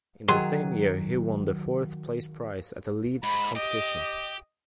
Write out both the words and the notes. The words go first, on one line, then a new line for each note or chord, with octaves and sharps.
In the same year, he won the fourth place prize at the Leeds Competition.
D#3 F#3 G#4 C6
G#2 B5
G4 D#5